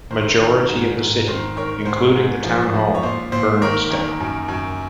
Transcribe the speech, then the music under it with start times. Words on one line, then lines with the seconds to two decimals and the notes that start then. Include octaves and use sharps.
Majority of the city, including the town hall, burns down.
0.11 D#3 C5
0.40 D#3
0.69 G#2
0.98 G#2
1.27 D#3 C5
1.57 D#3 A#4 C#5
1.85 G#2 C5
2.15 G#2
2.45 F3
2.74 F3
2.95 C#5
3.03 A#2 C5
3.32 A#2 C5
3.62 D#3 A#4 C#5
3.91 D#3
4.20 F#2
4.48 F#2